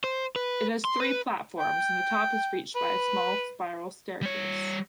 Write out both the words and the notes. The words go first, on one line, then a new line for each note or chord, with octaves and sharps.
It has three platforms and the top is reached by a small spiral staircase.
C5
B4
C6
B4
G5
B4
G3 C#5